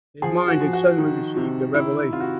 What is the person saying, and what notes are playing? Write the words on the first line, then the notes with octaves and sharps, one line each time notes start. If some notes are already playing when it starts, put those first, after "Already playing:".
His mind had suddenly received a revelation.
F3 G#4
F#4
F3
F#4
D#3
C3
D#3 E4
C3 F4
F#4